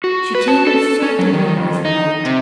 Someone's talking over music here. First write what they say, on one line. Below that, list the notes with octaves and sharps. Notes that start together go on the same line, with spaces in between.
She came, and filled the room with light.
F#4
B4
A5
A4
C#4
F#3
D#3
F2
D#4
C3